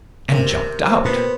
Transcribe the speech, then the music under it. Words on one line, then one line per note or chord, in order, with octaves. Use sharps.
And jumped out.
C3 A#4
A#2 B3